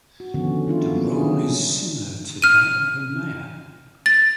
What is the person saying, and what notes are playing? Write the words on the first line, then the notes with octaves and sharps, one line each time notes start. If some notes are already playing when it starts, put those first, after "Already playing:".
The role is similar to that of a mayor.
F#4
D3 D#3 F3 B3 C#4 F#4
G3 D4 E4 F4
F#3 G3 A#3 B3 C#4 F4
D4 E4 G#4
B3
F6 D#7
A6